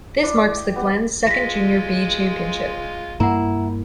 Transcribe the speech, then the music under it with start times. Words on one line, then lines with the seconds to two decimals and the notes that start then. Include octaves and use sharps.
This marks the Glens Second Junior "B" Championship.
0.23 D4 E4 D5
0.36 D6 D#6
0.54 E5 G5
0.76 B3 G4
1.27 G#3 F4 A#6 B6
3.20 G2 A#3 E4 F#5 A#5